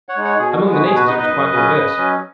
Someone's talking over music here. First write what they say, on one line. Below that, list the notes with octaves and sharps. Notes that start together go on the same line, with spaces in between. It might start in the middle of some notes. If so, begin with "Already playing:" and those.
Among the natives it was quite the reverse.
C#5 F#5
G#3 D#4
C#5 F#5
B2 G#4
F#4
G#3 B3
F#4 B4
B2 G#4
F#4 B4
B3 D#4 B4 D#5
B4 D#5
F#2
C#3 F#3 C#4
C#3
F#3 C#4